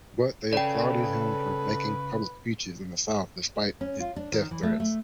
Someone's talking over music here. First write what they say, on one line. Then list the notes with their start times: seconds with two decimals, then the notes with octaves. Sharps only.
But they applauded him for making public speeches in the South despite death threats.
0.53 C#3 A4 B4 D5 G5
3.81 C#4
4.00 F4
4.16 D4
4.32 D#3
4.51 E3
4.63 A3
4.80 A3